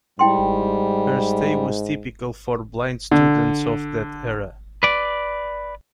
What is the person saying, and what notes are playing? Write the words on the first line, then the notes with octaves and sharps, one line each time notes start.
Her stay was typical for blind students of that era.
G#2 G3 E4 G5 C6
D3
B4 D5